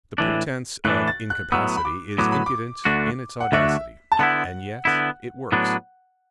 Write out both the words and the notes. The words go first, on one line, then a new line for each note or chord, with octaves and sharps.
The pretense of incapacity is impudent in its audacity, and yet it works.
A2 E3 D4
A2 E3 D4 F#6
A6
F#6
A2 F#3 B3 E6
B5
D6
A2 F#3 B3 D6
B5
D6
D2 D3 A3 D4 F#4
F#5
D2 D3 A3 D4 F#4 E5
A5
D3 B3 E4 F#5
D3 B3 E4
A2 F#3 B3 D4